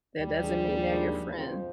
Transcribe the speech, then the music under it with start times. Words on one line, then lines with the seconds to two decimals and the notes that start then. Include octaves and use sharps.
that doesn't mean they're your friend.
0.19 D#2 G3
0.43 D#3 G#3 D4 G#4
0.66 D#2
0.90 D#3 G#3 D4 G#4
1.13 F3
1.38 C4 F4 C5